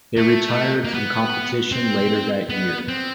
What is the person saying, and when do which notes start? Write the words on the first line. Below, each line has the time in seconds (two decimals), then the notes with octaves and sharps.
They retired from competition later that year.
0.17 A3
0.84 A#3
0.94 B3
1.72 C4
2.50 B3
2.88 C4